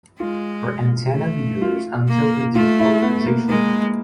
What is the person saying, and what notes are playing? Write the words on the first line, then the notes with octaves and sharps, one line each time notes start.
For antenna viewers, until the digital transition.
G#3 F4
A3
F4
A#3
A3 F4
E4
B3
A#3
G#3 A#3